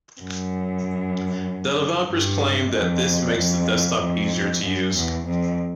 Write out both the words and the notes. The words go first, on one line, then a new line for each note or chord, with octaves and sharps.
The developers claim that this makes the desktop easier to use.
F#2
G2
F2
F2
F2
F#2
E2
F2